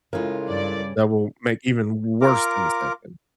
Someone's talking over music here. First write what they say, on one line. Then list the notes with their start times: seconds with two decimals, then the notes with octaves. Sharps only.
that will make even worse things happen
0.13 C#3 G#3 E4 F4 A4 A#4
0.46 G2 D5
2.21 F4 A#4 A#5 D6